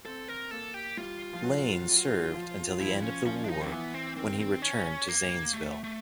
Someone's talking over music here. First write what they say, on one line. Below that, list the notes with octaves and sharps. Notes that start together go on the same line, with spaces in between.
Lane served until the end of the war when he returned to Zanesville.
C4 A4
A#4
A#3 A4
G4
G3 F4
F3
F#3
F#3
F3
F3 E4
C#4
F3 C#4
D4
D#4
C4
E3 B3
C4
D#3 C4
C4
C#4
A#3
A3
A3